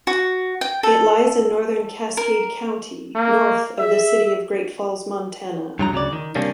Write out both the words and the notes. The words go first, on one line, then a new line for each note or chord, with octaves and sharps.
It lies in northern Cascade County, north of the city of Great Falls, Montana.
F#4
G5
A4
A#4
A#3
G#4 E5
G2 F3 F#3 G#3 A#5
D2 C#3 F#3 D5
D#3
C3 D#3 G3 A#3 C#4 D4